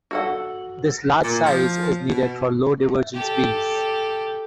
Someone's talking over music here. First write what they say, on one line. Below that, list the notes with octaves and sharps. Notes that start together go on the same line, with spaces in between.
This large size is needed for low divergence beams.
F#4 A4 F#5
A#2
F3
B2
G4 A4